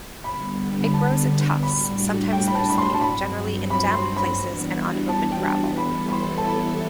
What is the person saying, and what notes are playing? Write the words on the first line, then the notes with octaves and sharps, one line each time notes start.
It grows in tufts, sometimes loosely, generally in damp places and on open gravel.
D3 G3 B3 B5
B5
A5
A2 G3 D4 F#4 B5
G5
B5
A5
B5
C6
A5
G2 F#3 C4 F#4 B5
B5
C6
B5
E3 G3 B3 D4 F#4
A5
G5
A5
E3 G3 B3 E4 A4 B5
B5
C6
A5
B5